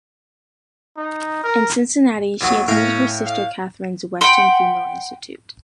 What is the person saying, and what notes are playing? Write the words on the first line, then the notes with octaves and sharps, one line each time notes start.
In Cincinnati she attended her sister Catharine's Western Female Institute.
D#4
A#4
D#2 F#3 D#6
A2 C#4 A#4 F5
F5
F#5 G5 B5 C6